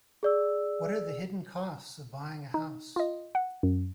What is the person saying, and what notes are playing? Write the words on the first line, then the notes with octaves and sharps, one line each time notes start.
What are the hidden costs of buying a house?
G#4 D5 E6
D#4
F4 D#5
F#5
F#2